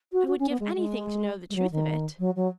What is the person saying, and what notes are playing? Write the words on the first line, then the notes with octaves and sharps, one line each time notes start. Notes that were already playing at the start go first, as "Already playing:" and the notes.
I would give anything to know the truth of it.
F#4
F#4
C#4
B3
G#3
G#3
G#3
F#3
D#3
F#3
F#3